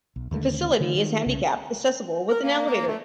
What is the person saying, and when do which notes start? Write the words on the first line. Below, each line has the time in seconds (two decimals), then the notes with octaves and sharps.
The facility is handicapped-accessible with an elevator.
0.16 B1
0.31 D#2 D3 E3 A3
0.80 D3 D#3 A3
0.95 D#3
1.26 C2 C#3
2.29 A#4
2.43 A#3
2.67 A#3
2.88 A3